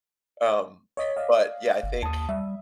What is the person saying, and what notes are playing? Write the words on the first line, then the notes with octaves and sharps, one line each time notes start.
um, but, yeah, I think,
C#5 D#5 B6
D5 D#5 F5
G1
D#2 A5 D#6
G3 E5